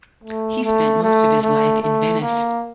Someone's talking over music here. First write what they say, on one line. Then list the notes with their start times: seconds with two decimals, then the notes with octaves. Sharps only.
He spent most of his life in Venice.
0.24 A3
0.64 A3
1.03 A3
1.42 A3
1.82 A3
2.21 A#3